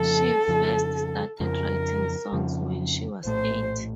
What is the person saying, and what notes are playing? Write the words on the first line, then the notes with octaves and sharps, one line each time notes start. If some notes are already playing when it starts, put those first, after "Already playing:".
She first started writing songs when she was eight.
Already playing: F2 C#3 F3 A4
F2 C#3 F3
F2 C#3 F3 A#4
F2 C#3 F3
A#1 A2 A3 C5